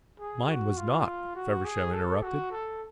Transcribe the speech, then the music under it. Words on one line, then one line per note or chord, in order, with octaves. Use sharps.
"Mine was not," Feversham interrupted.
G#4
F#4
F4
F#4
G#4
A4
F#4
A4